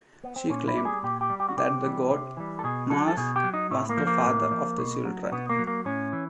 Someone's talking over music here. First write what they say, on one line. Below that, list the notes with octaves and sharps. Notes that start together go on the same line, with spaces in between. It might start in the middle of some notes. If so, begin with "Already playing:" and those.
She claimed that the god Mars was the father of the children.
B3
C4
A#2 C#4
E4
G3
G#4
A#2 G4
G4
G3
G4
F#4
C3 G4
E3 G3
C3
E3 G3
A4
B2 G#4
F#3 A4
A4
B2 G#4
G4
F#3
D#4
A2 A3
A#3
F3
A#3
A2
F3
B2
F#3
B2 B3
A#3
F#3
A#3
A2 C#4
E3